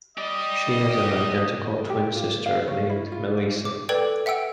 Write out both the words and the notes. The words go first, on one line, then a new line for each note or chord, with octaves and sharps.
She has an identical twin sister named Melissa.
G4 D5 D#5
G4
F4
F5
C#5
E4
F4
D6
A4 B4 D5 G5 G#6
E5 F#5 G5 E6 D7